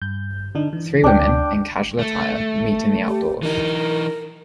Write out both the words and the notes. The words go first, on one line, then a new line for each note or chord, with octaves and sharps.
Three women, in casual attire, meet in the outdoors.
G2 G6
D3 D4 D#4
E3
D2 D4 G5 D6
A3
G4
E3 D#4 A#4